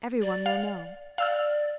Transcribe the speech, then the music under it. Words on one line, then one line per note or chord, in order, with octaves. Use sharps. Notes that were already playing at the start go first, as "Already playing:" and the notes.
Every one will know.
D5
F5
D5 F5 E6 F6